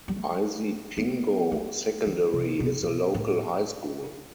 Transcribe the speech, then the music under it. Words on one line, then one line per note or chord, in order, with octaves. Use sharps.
Isipingo Secondary is the local high school.
G3
A3
B3
A3
D#3
C3
B2
C3
B2
A2